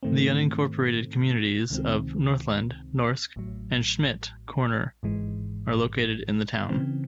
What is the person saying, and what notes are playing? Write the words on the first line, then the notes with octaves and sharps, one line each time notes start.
The unincorporated communities of Northland, Norske, and Schmidt Corner are located in the town.
G#2 D#3 A3 C4
C#2 C3 D#3 G#3 C4
A1 A2 F#3
G#1 G#2 E3 G#3
C#3 E3 C4